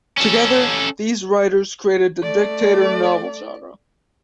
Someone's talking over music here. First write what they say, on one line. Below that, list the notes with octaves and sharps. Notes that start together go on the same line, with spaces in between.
Together, these writers created the Dictator novel genre.
C#4 A4
A3 D5